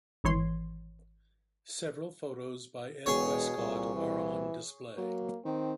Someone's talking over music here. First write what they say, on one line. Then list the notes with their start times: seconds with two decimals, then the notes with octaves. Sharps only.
Several photos by Ed Westcott are on display.
0.24 G#1 E3 C#5 C6
3.06 E1 B2 G#4 C#5
3.58 C2 A#2
3.96 E3
4.97 F#3 A#3
5.45 D#3 C4